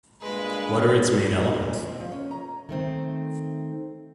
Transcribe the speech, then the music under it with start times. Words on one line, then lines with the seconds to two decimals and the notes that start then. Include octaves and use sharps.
What are its main elements?
0.21 G2 A#2 G#3 B4
1.35 D#4
1.46 D#5
1.62 A#2
1.74 D#3
1.87 C4
2.00 F3
2.12 C#4
2.31 A#5
2.69 D#3 A3 C4